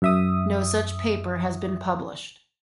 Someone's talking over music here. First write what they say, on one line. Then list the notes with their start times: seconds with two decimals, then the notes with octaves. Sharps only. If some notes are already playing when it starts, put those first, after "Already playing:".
No such paper has been published.
0.02 F#2 E5 D#6